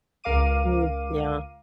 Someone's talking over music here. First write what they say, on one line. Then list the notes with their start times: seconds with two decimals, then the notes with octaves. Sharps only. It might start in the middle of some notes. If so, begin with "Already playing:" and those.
Mm, yeah.
0.24 C#2 A#4 F5 D6 D#7